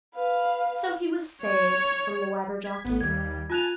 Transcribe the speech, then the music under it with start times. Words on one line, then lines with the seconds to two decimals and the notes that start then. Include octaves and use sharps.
So he was saved from the Wabberjocky.
0.14 B4 F5
1.43 C#5
2.64 G#6 B6
2.85 A1 B3
3.01 D#2 G3 G#6
3.50 F4 G#5 A5 F#6 F7